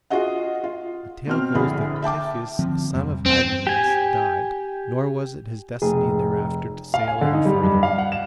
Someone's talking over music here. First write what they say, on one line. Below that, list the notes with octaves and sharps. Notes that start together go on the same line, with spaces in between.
The tale goes that Tiphys son of Hagnias died; nor was it his destiny thereafter to sail any further.
F4 F#4 G#4 D#5 F#5
F4
B2 C4 F6
A#1 D3 E4 G#4 B5
E5 G5 A5 D6
D3 F3 C4
F2 C3 G3
E2 C4
G4 G#5
F1 G#4
F5
G#5
D3
D#4
G3
G2
F5
F#5
E7